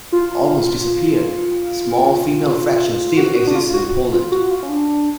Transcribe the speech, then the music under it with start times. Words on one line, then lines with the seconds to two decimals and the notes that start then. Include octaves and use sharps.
Almost disappeared, a small female fraction still exists in Poland.
0.12 F4
3.17 F#4
3.35 F#4
3.47 D4
3.55 F4
3.74 F#4
4.12 F4
4.32 F#4
4.51 F4
4.63 C#4
4.69 D4